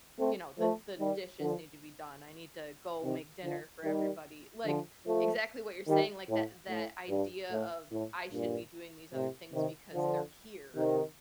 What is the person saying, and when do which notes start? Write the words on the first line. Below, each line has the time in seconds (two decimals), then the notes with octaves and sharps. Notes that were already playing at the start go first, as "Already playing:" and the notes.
you know, "The the dishes need to be done, I need to go make dinner for everybody," like exactly what you're saying, like, that that idea of, "I should be doing these other things because they're here,"
0.18 A3 C4
0.58 F3 A3
0.99 D#3 G3
1.40 D3 F3
3.03 C3 D#3
3.43 D3 F3
3.84 D#3 G3
4.65 D3 F3
5.06 F3 A3
5.87 D#3 G3
6.29 A2
6.69 A2
7.09 G2
7.50 A2
7.91 A2
8.32 G2 A#2
9.13 A2 C3
9.53 C3 D#3
9.94 D3 F3
10.76 C3 D#3